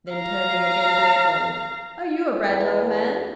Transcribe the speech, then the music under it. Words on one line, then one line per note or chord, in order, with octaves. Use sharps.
Then turning again to Edwin: "Are you a Bradlaugh man?"
F5 A#5
E2